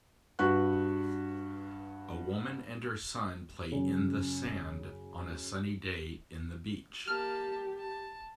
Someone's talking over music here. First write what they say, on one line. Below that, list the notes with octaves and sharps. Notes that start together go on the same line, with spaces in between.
A woman and her son play in the sand on a sunny day in the beach.
G2 F#4 B4 C#6 F#6
F#2 C#3
A#3 G4 A5 F6
A5